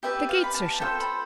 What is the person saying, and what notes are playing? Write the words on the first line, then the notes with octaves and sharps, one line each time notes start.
"The gates are shut."
G4 B4 D5 E5
F5
B5
A5
F4 A4 C5 G5
B5